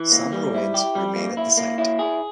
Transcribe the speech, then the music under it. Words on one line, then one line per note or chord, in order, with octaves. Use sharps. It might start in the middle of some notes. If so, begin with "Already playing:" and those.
Some ruins remain at the site.
Already playing: E3
A#3
G3
E4
G4
G3
A#3
E4
A#3
E4
G#4